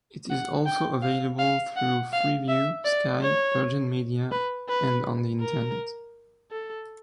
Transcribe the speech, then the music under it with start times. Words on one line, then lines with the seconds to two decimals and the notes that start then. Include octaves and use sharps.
It is also available through Freeview, Sky, Virgin Media and on the Internet.
0.30 F#5
0.66 G5
1.02 F5
1.39 F5
1.77 F#5
2.13 F5
2.49 E5
2.85 D5
3.23 C#5
4.32 B4
4.69 B4
5.41 A#4
6.51 A4